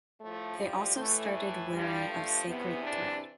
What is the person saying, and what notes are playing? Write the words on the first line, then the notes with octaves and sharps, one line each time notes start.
They also started wearing of Sacred thread.
A2 F3 A3
G3
A2 E3 A3
A3
G2 F3 G3
A3
E2 C3 E3 B3
D4